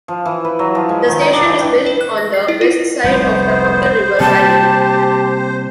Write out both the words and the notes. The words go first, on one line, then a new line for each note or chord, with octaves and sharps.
The station is built on the west side of the Humber River valley.
F3
E3
B4
F#3
F3
G#3
D#3
D#4
D4
E3
G5
B4
F#6
A#6
C7
E4
F4
F1 C2 B3 C5
C3 G3 A#3 G4 A5